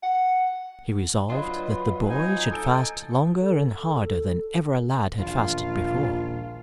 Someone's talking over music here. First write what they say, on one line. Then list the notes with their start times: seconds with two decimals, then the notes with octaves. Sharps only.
He resolved that the boy should fast longer and harder than ever a lad had fasted before.
0.03 F#5
1.30 F#3 D4 F4 B4 D#5
2.09 C4 D#4 G#5
2.51 A4 G#5 D#6 G6 D7
3.40 A4
5.18 D#1 A#1 E3 F4 F5